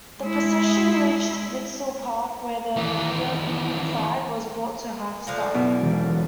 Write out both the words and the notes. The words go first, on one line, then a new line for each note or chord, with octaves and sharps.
The procession reached Rizal Park, where the Philippine flag was brought to half-staff.
G#3 E4
D#2 E3
D3 F3 A#3
F#2 B2 E4
E1